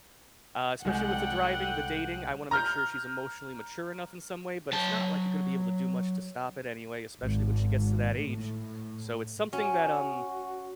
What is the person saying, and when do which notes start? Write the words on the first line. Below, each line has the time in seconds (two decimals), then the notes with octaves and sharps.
Uh, especially with the driving, the dating, I wanna make sure she's emotionally mature enough in some way, but it's not like you're gonna be able to do much to stop it anyway, especially when she gets to that age. So, it's something that, um,
0.85 C2 G#3 A4 F#5 G5 G6
2.51 A#5 F6 G6
4.72 F#3 A5
7.21 G#1
8.15 A2
9.53 C#4 F#4